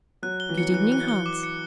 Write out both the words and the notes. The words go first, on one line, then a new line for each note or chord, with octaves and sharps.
'Good evening, Hans.
F#3 F#6
G7
E3
F#3 C#7
E3 F#6
F#6
G7
D6
C#7